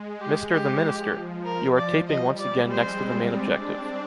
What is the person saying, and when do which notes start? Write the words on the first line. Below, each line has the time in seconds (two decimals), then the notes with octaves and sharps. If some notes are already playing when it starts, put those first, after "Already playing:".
Mr. the Minister, you are taping once again next to the main objective.
Already playing: G#3
0.20 G4
0.51 G4
0.83 F3
1.45 A#4
1.77 D5
2.08 G3 D#5
2.39 G#3 D5
2.70 C4 C5
3.02 C4
3.33 D4 D5
3.64 C4